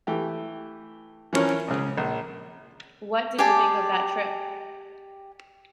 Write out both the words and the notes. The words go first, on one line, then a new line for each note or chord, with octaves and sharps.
What did you think of that trip.
E3 A3 G4
E3 F3 C#4 A#4 C#5
C#2 C#3
A#1
G4 G#4 D5 A5